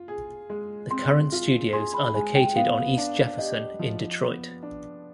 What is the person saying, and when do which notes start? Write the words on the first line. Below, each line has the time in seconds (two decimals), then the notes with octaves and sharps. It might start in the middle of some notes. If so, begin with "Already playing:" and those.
The current studios are located on East Jefferson in Detroit.
Already playing: F4
0.08 G#4
0.50 G#3
0.90 C4 C6
1.32 F4
1.73 G#4 C6
1.94 B5
2.14 G#3 G#5
2.35 G5
2.55 B3 F5
2.98 D4
3.39 G4 D#5
3.79 F3
4.22 B3
4.63 D4